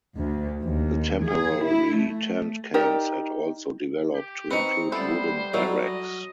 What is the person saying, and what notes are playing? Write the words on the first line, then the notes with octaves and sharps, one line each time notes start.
The temporary tent camps had also developed to include wooden barracks.
D2
D#2
G#4
E4
A3
D#4 G4 A#4 D5
G4
C4 D#4 B4 C#6
G3 B3 E4 A4 C5
F#3 D#4 E4 A4
D#5